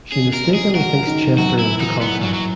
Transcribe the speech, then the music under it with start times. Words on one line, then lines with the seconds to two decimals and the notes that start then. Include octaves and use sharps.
She mistakenly thinks Chester is the contact.
0.12 C#4 G#4
0.33 A#4
0.44 G#3
0.54 G#4
0.75 F#4 A#4
1.06 D#3
1.38 F#2 F#4
1.59 E4
1.70 E3
1.80 D#4
2.01 E3 B3
2.22 F#3
2.33 F#3